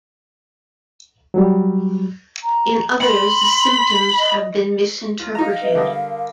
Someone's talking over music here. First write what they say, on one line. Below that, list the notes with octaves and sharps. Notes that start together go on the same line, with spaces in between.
In others, the symptoms have been misinterpreted.
F#3 G3
A#5
B5 C6
D#5
F4
D#4 F5 A#5
B4 D#5 E5
D3 G3 A#4 D#5